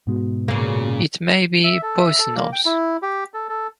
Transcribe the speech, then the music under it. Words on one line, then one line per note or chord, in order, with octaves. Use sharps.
It may be poisonous.
G#2 B2 G#3
A#2 C#3 A#3
E5
A4
E5
A4
A#3
G5
E4
G4
A4
A4